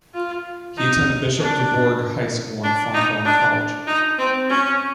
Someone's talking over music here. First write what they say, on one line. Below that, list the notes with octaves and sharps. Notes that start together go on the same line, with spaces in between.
He attended Bishop DuBourg High School and Fontbonne College.
F4
D#4
D4
D4
D#4
D4
D#4
C4
C#4